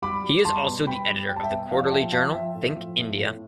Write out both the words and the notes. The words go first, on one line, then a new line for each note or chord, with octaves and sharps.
He is also the editor of the quarterly journal "Think India".
G3 B5 D6
G3
G3 A5 C6
B2
G3 G5 B5
G3
G3 G5
A5
E5 G5
B2
F3 D5 F5
A5
F3 E5 G5
F3 F5 A5
F3 E5 G5
A2
F3
A2
A2